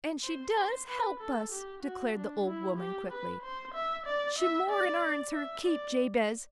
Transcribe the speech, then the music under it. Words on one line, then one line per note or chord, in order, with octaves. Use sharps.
And she does help us," declared the old woman, quickly. "She more'n airns her keep, Jabez.
C5
C5
B4
A4
G4
F#4
D4
E4
G4
B4
C5
E5
D5
E5
D5
E5
D5